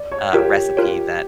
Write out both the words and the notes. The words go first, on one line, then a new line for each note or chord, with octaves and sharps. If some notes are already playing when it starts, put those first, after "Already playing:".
uh, recipe that
Already playing: D5
C#5
F4 G4 A#4 C#5
F4 A#4 C#5